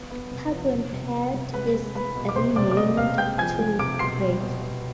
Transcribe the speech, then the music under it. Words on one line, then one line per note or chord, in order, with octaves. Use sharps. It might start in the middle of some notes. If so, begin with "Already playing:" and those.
Paguetpet is renamed to Bray.
Already playing: B3
B3
C3
F3
C3
C3
B3
C3
G#3 B4 B5
G#3
G#3 B4 B5
B2
D6
C3 C5 C6
C3 D5 D6
D6
B3 D#5 D#6
C3 F5 F6
G#3 G5 G6
F3 G#5 G#6
G#3
C3 D6 D7
B2 C6 C7
G3
B2
B2